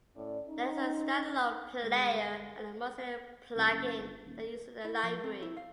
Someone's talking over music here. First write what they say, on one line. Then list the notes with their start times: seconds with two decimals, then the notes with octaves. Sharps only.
There is a standalone player and a Mozilla plugin that uses the library.
0.15 A2 C#4 D5
0.47 C#4 D#4
1.81 G2 D3 G#3
3.56 C2
3.71 F#1
3.97 G1
4.25 D#1
4.85 E4
5.03 F3
5.24 C4
5.42 E4
5.57 F5